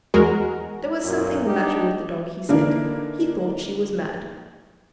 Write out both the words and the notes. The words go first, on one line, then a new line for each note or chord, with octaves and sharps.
There was something the matter with the dog, he said; he thought she was mad.
E2 G#3 F#4 A#4
B1 F#2 A#2
G3 D4 D#4 G4
D3 E3 A#3 D4 D#4 A#4